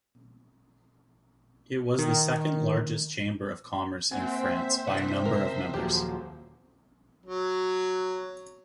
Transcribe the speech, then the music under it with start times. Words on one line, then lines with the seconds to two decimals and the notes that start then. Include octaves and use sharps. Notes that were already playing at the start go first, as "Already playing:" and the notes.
It was the second largest Chamber of Commerce in France by number of members.
1.99 D#3
4.11 A#3 C4 C5 E5 F#5 G#5 B6
4.87 C3 E3 A#3 F#5
5.25 F#1 A#4
5.74 D#1 F3 F#3 G4 G#4
7.26 F#3